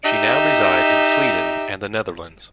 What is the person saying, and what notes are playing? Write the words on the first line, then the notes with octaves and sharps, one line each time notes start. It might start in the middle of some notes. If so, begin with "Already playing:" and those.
She now resides in Sweden and the Netherlands.
D#4 G4 D#5 E5